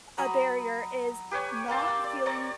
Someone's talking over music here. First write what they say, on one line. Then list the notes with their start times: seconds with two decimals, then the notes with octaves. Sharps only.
a barrier is not feeling
0.18 F#3 A#5 B5 D#6
1.31 G4 B4 C#5 G#5
1.68 A#3 C4 A5 C6
2.04 D5
2.26 C#5 D5 A#5 C#6